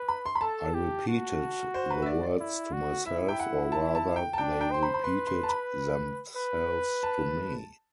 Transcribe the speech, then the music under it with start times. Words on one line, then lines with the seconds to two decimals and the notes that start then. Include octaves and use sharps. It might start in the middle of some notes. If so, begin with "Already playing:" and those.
I repeated the words to myself, or rather they repeated themselves to me.
Already playing: B4
0.08 B5
0.26 C6
0.35 B5
0.41 A4 A5
0.74 G4
1.08 F#4
1.74 C5
1.90 B4
2.02 E5
2.06 D5
2.23 D5
2.40 E4
2.73 F#4
3.06 E4 E5
3.29 G5
3.40 F#5
3.72 A5
3.95 A5
4.16 G5
4.33 A5
4.38 D4 G5
4.61 G5
4.71 C5 C6
4.83 B5
4.94 B5
5.04 B4 C6
5.27 C6
5.43 A5
5.49 B5
6.37 B4
7.03 A5